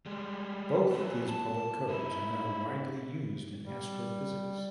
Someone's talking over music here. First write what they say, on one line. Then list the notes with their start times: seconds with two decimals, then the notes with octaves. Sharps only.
Both these public codes are now widely used in astrophysics.
0.06 G3 G#3
0.92 A3 C4
1.28 A5
1.89 D#4 E4
3.65 G3